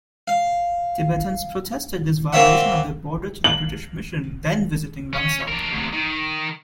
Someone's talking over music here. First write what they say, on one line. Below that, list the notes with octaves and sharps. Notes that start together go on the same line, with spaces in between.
Tibetans protested this violation of their border to the British mission then visiting Lhasa.
F5
A#3 C4 F4 C#5 E5 F#5
F#7
C#4
D4 A#4
D2 C3
D#3